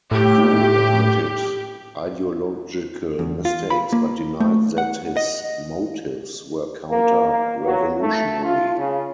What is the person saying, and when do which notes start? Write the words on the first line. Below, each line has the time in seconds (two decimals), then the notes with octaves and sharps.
Wu admitted ideological mistakes but denied that his motives were counter-revolutionary.
0.11 A2 G4
3.19 E2
3.45 F4
3.70 B5
3.93 A#3
4.40 A3
4.78 F#5
5.17 D#5
6.90 A#3
7.29 A#3
7.65 F#3
8.00 A3
8.44 F4
8.78 C#3